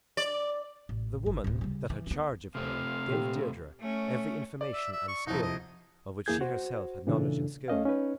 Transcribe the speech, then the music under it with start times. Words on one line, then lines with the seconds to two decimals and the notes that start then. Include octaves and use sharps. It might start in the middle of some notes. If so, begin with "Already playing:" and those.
The woman that had charge of her gave Deirdre every information and skill of which she herself had knowledge and skill.
0.17 D5
0.89 A1
1.26 G1
1.44 D1 D4
1.61 C#3 G3
1.90 E3
2.07 B3 D4
2.55 C3 A3 C4 F5
3.09 A#2 G4
3.80 A3 C#4
4.61 D5
4.74 E5
4.92 E5
5.08 C#6
5.27 C2 F2 D#4
5.42 D#5
6.26 E2 A#3 E4 G#4 G6 G#6
6.41 F#4 C5
7.07 A#2 C#3 E3 D4 A4
7.68 A3 C#4 D#5 F5
7.86 C#4 D#4 B4